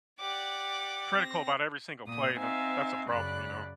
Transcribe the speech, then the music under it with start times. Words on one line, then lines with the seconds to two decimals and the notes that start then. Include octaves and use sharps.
critical about every single play, then that's a problem, you know?
0.20 G4 D5 F#5 D6
1.14 C4 A#6
2.06 A#2 D#6
2.36 C4 D#4 E5 F5 G#5
3.10 F#2 C#3 D5 B5 F#6